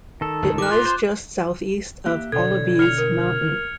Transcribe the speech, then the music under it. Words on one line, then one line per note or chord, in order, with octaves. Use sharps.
It lies just South-East of Olivee's Mountain.
D#3 A4
G1 C#2 A2
G#2 D6 F#6
F4
C5
A#3 G4 E5 F#6
B2 D3 A4 C#5 D5 G#6
F6 C#7 F7
A#4